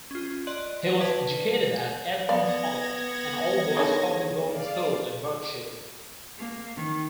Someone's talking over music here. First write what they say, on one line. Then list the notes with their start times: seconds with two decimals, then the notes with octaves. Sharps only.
He was educated at Eton College, an all-boys public boarding school in Berkshire.
0.11 C#4 F4
0.47 D5 D#5 C6 F#6 F#7
0.86 F#5 F7
1.01 B4 D5 A5 G#6
2.29 B3 D5 F5 G#6 A#6
3.77 D3 D#3 A3 G#4 C#5
4.44 D5 F5
6.37 A#3
6.76 D#3